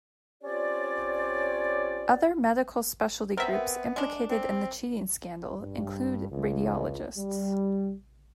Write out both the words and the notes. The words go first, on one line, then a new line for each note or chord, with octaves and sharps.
Other medical specialty groups implicated in the cheating scandal include radiologists.
C4 C#4 F4 G4 C#5 D5
B3 C4 A#4 E5
B3
G#3 D4
C4
G2
C#2
G3